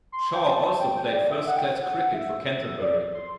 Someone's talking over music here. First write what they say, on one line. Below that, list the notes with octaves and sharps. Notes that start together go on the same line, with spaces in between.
Shaw also played first class cricket for Canterbury.
C6
G5
A5
G5
G5
D5
E5
F#5
G5
F#5
E5
D5
C6